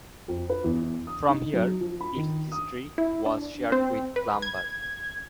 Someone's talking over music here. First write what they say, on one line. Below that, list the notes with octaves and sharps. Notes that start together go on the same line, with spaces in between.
From here its history was shared with Clumber.
F2
B4
E2
D#6
D#4
F#3
F3
B5
D#3
D#6
E4
D4
C4
B4
G#6